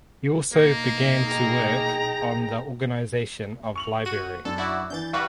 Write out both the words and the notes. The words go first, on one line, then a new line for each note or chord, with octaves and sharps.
He also began to work on the organization of library.
B2 A#3 D#4
G#4 G5 A#5
C#6 F7 F#7
F#4 D#7
F#2 D4 A4
E4 F#4 D5
E3 D4 G6 A6
G3 F#4 B4 F5 C#6